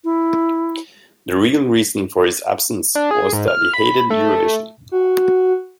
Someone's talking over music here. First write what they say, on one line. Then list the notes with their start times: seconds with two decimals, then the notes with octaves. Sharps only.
The real reason for his absence was that he hated Eurovision.
0.04 E4
2.95 D4
3.11 G#4
3.33 G#2
3.48 F6
3.74 B5
4.10 A3
4.92 F#4